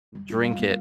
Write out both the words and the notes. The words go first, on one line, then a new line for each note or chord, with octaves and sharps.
drink it,
G3
F4
G3 F5
A#3